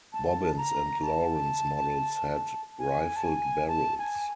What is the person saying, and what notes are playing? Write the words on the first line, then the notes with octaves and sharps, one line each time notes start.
Bobbins and Lawrence models had rifled barrels.
A5
A#5
A5
G#5
A5
G#5
A5
G#5